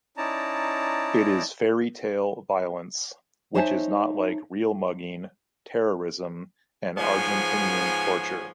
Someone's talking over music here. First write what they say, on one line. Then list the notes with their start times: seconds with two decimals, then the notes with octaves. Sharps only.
It is fairy-tale violence, which is not like real mugging, terrorism and Argentinean torture.
0.17 C#4 D#4 E4 D5 A5 A#5
3.55 D#4 C5 C#5 E5 G#5 A5
6.98 G#2 F3 B3 C#5 G#5